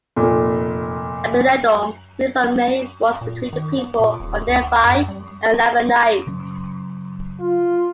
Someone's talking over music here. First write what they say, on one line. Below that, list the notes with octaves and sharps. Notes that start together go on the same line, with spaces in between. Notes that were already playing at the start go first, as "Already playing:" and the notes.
Abinadom speaks of many wars between the people of Nephi and the Lamanites.
F1 A#2
A#2
D#3
B3
A#2
D#1
D2
F#2
G3
C#3 F#3 C#4
F4